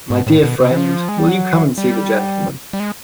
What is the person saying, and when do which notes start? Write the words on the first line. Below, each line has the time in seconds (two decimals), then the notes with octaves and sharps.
My dear friend, will you come and see the gentleman?
0.10 G#2
0.27 A2
0.43 B2
0.60 C3
0.71 E3
0.77 F3
1.08 G#3
1.18 G3
1.28 F#3
1.78 G3
2.73 G3
2.80 G#3